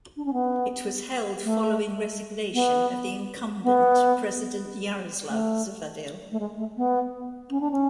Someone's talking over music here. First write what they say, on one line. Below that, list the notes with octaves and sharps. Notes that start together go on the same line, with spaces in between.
It was held following resignation of the incumbent President Jaroslav Zavadil.
D4
C#4
B3
A3
B3
B3
A3
A3
G#3
A3
B3
C#4
D4
C#4